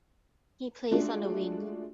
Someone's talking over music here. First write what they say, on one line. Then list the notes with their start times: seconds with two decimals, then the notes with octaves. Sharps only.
He plays on the wing.
0.91 G#3 A3 D4 F4 F#4